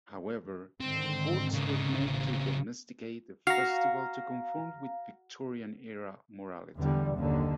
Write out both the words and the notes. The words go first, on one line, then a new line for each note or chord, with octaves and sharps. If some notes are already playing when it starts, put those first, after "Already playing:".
However, efforts were made to "domesticate" the festival to conform with Victorian era morality.
G#2 D3 D#3 C4
C#3 C4
A1
F#4 F5 A#5
E2 D3 G3
F#1 D#2 D3 D#3